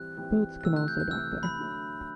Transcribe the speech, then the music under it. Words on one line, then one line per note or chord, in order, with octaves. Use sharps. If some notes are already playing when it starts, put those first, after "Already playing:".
Boats can also dock there.
Already playing: E3 G3 C4 F#6
E3 G3 C4
F#6
C3 E3 A3 E6
F#6
G6
F#6
C3 E3 A3 E6
B5
D3 F#3 A3